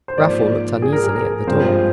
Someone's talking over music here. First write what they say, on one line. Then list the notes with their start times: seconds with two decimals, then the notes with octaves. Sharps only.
Raffle looked uneasily at the door.
0.08 C5
0.17 G#2 F3 A#3 D5
0.82 G#4
0.93 A#4
1.04 G#4
1.15 A#4
1.47 G2 F3 G#3 C4 C5